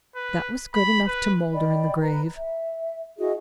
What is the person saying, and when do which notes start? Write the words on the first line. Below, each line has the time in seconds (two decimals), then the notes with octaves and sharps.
That was good enough to moulder in the grave.
0.16 B4
0.74 B5
1.07 B4
1.53 D5 D#5 G5 B5
2.01 B4 A#5
2.36 E5
3.18 E4 F#4 G#4 D#5